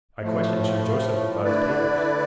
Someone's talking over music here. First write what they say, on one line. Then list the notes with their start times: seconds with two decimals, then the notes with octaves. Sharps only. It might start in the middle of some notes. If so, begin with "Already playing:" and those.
I questioned Sir Joseph about his papers.
0.22 A2 F3 A3
1.43 D3 A3 E4 B4 D5